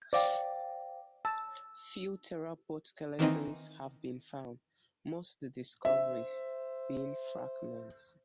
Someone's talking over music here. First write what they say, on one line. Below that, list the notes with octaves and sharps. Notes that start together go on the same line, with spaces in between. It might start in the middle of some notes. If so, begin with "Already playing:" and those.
Few theropod skeletons have been found, most discoveries being fragments.
C5 D5 F5 G5 D6
A5 E6
D#3 E3 A#3 C4 D#4
C5 E5